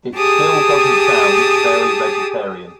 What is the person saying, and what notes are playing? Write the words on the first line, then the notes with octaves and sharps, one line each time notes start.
It still doesn’t sound very vegetarian.
G4 G#4 A5 D#6 E6